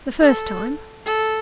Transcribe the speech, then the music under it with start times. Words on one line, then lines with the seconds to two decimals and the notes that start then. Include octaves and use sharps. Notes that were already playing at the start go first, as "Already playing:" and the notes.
"The first time?"
0.21 A4
1.06 A4